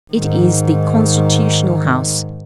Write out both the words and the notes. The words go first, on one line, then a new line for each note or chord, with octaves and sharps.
It is the constitutional House.
G#2 D#3